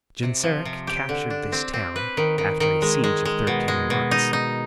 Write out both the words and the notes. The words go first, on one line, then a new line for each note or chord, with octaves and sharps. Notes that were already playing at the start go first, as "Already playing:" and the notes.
Genseric captured this town after a siege of thirteen months.
C3
F3
C3
G4
D3
D4
C4
C4
B4
D#3
D#3
D#3
G#3
G#3
G#3
B2
G#3
B2
D#4
D#4